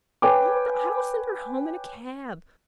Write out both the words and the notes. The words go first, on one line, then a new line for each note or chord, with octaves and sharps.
'Oh, but I will send her home in a cab.
B4 C#5 G5 G#5 D6